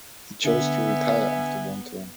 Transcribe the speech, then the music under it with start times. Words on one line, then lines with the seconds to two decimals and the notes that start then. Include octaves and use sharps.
He chose to retire after one term.
0.45 D3 B3 E5 G#5